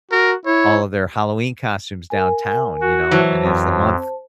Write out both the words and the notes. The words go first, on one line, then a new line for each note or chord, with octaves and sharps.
all of their Halloween costumes downtown, you know, and as the month
F#4 A#4
E4 C#5
A#4 G#5
F#4
E3 F#3 C5 A5
F2